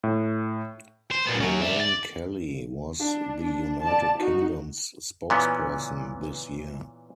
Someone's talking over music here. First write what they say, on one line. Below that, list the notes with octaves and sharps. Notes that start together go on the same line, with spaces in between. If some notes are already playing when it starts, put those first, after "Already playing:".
Lorraine Kelly was the United Kingdom's spokesperson this year.
A2
C5
A#2 B3
F#3 C#4
D5 E5
D5
D4
D4
D5 A5
D#4 F#4
A#2 E3 B3 C#4